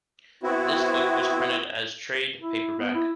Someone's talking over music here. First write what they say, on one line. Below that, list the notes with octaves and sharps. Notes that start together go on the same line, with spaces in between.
This book was printed as a trade paperback.
B3 C4 E4 F#4
E4
B3
E4